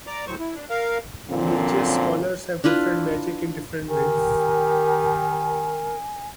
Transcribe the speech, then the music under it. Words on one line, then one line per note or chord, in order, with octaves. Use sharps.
Religious scholars have defined magic in different ways.
D5 A#5 D6
D2 A2 F#3 C5 C#6
E4
D4
A#4 F5
F#2 A#2 D3 F3 C4
D4 E4 F4 B4
D#3 G4 A#4 G#5